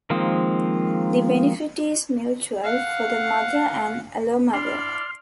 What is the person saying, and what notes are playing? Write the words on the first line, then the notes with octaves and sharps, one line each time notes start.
The benefit is mutual for the mother and allomother.
D#3 F3 G#3 A#3 C4
F5 F#5
D4 E4 D5 C6 F6